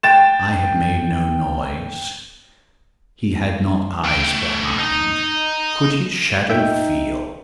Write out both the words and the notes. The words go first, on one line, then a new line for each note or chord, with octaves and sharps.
I had made no noise: he had not eyes behind--could his shadow feel?
G5 A6 E7
A3 G5
D#4
D#4 E5 G5